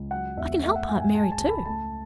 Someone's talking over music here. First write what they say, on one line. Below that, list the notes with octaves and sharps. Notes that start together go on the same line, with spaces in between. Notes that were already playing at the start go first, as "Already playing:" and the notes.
I can help Aunt Mary, too.
Already playing: C#2
F#3 F#5
E2 E5
A3 E5
F#5
G#2 G#5
G#5
G#3 A5
G#5
A5
C#2
B5
A3 A5